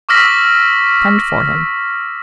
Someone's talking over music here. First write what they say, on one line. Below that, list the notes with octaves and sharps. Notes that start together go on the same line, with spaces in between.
Send for him.
C#6 D6 E6 F6 A#6 B6